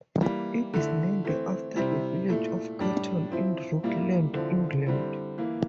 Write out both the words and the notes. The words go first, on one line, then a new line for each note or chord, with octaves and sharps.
It is named after the village of Ketton in Rutland, England.
E3 G3 A#3
D3 A3 E4
E3 A3 C4
C3 G3 C4 E4
A#2 A3 E4
A2 G3 D4
F3 C4 E4
A#2 G3 A#3 E4
D3 F3 C4 E4
D3 G3 C4 E4
E3 A#3 E4